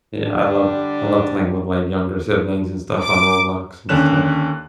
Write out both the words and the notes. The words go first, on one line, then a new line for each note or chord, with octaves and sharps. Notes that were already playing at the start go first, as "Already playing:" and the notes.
Yeah, I love I love playing with my younger siblings and stuff on Roblox and stuff.
D3 G3 D4
D6
D#2 D3 C#4 F#6 E7